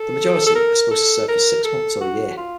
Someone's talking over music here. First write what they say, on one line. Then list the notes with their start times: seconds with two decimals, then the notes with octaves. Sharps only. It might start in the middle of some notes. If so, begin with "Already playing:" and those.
The majority are supposed to serve for six months or a year.
Already playing: A4
0.47 A4
0.55 A#4
0.91 A4
1.28 A#4
1.65 A4
2.01 F#4
2.37 F4